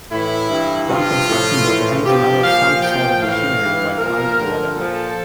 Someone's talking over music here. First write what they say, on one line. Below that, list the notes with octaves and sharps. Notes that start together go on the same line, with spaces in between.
One construction worker hands another some sort of machinery while climbing a ladder.
A2 E3 E4
G2 E3
G2 F3 F4
A2 F3
A2 E3
G2 F3 G4
A#2 F3 F5
A#2 F3 G5
A2 E3 F5
G2 E3
A#2 F3 A#4
G2 D3 F3
A#2 F3 A4